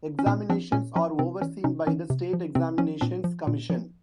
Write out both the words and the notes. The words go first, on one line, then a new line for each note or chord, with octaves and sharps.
Examinations are overseen by the State Examinations Commission.
C#4
A#2 C4 D4
F3 C4 D4
A#2 C#4
F3 C#4
C3 C4
E3 C#4
C3 C#4 D#4
E3 C#4
C3
F3
C3 C4
F3 C#4
A#2 C4 D4
F3
A#2
F3